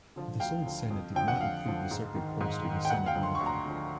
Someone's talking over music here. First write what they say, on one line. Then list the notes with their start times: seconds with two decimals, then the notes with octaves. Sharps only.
This old senate did not include the separate post of the Senate Marshal.
0.16 D3 F3
0.40 D2 F5 G5
0.66 D3 F3
0.90 F2
1.15 D3 F3 G5
1.28 F#5
1.40 F2 F5
1.66 D3 F3
1.91 G#2
2.15 D#3
2.41 G#2
2.65 D#3
2.85 G5
2.90 D2 F#5
3.06 F5 G5
3.15 D3 F3
3.23 C6
3.35 C#6
3.40 D2
3.46 A#5 C6
3.65 D3 F3